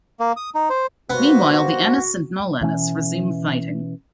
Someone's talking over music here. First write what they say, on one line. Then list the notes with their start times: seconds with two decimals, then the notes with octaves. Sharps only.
Meanwhile the Ennis and Nol-Ennis resume fighting.
0.20 A#3
0.37 D#6
0.55 D#4
0.70 C5
1.10 G2 A#3 B3 F#4 C5
2.61 B2 E3 C#4